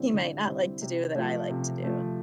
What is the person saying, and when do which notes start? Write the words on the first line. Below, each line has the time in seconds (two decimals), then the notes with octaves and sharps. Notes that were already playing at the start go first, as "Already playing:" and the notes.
he might not like to do, that I like to do.
Already playing: D3 G3 C4 E4
0.13 D3
0.47 G3 C4 E4
0.82 C3
1.15 F3 A3
1.50 C3
1.84 F3 A3